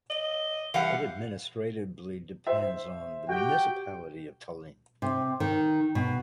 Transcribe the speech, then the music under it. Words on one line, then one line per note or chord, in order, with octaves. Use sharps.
It administratively depends on the municipality of Tallinn.
D#5
E3 G3 F5 F#5
C5 E5
F#4 G4 G5
C3
D#3
B2